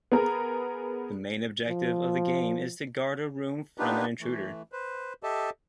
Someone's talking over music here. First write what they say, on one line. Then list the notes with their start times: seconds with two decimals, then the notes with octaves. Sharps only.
The main objective of the game is to guard a room from an intruder.
0.12 B3 G#4 A#4
1.69 F3
3.78 B3 D4 D#4 F4 G4 B4
4.21 E3 A3
4.72 B4 C5
5.23 G4 A4 D#5 E5 A5